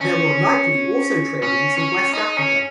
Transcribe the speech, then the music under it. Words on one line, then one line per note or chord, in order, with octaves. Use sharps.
There were likely also trade links with West Africa.
C#4
C#4
C#4
D#4
C#4